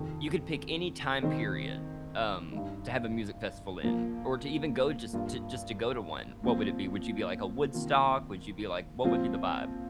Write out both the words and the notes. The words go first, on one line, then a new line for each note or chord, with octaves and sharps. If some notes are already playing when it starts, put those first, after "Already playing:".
you could pick any time period, um, to have a music festival in or to even go just just to go to one, what would it be? Would you be like a Woodstock? Would you be like what would be the vibe?
Already playing: F2 C3 D#3
C3 D#3 C4 D#4
G2 G3 D#4
A#2 F3 A#3
G2 G3 A#3 F4
A#2 F3 C4
C3 D#3 A#3 F4
A#2 F3 C4 F4